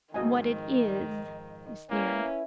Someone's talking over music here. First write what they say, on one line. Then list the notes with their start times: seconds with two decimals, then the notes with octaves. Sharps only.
"What it is," he sneered.
0.14 F2 G#2 D#3 F#4 D#5 G#5
1.91 A#3 C#4 E4 B4